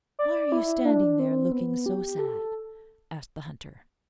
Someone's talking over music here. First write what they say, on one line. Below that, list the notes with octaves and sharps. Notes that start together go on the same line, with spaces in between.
'Why are you standing there looking so sad?' asked the Hunter.
D5
E4
D4
C4
B3
G4
A4